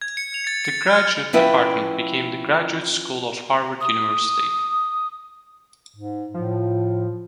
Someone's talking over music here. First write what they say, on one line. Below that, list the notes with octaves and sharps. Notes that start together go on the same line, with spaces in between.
The Graduate Department became the Graduate School of Harvard University.
G#6
C#7
F7
A6
C#7
F6
F3 C#4 E4 B4 G5
D#6
G#2
A2 F3